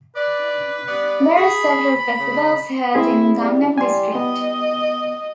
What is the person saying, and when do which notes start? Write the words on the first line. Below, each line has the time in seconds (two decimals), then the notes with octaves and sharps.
There are several festivals held in Gangnam District.
0.16 B4 D5
0.88 G3 B3 D5
1.36 G#4 B5
2.19 C#3
2.95 C4 E4 G#4
3.38 G3
3.78 G3 G#5 C6
4.15 B3 D#5